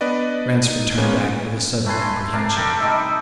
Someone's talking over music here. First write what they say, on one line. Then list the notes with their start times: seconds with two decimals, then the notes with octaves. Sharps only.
Ransford turned back with a sudden apprehension.
0.01 B3 D4 B4 D5 D#5
0.63 D#4 D#7
0.97 F3 G#3 A#3 B3 C#4
1.86 A3 B4 G#5 C6
2.33 C3 A3 D4 A#4
2.57 G4 A4 A#4
2.80 G3 A3 D#4 E5